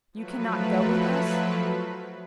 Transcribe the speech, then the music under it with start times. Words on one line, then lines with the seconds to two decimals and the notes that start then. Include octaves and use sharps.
"You cannot go with us!"
0.13 F3 F#3 A3 B4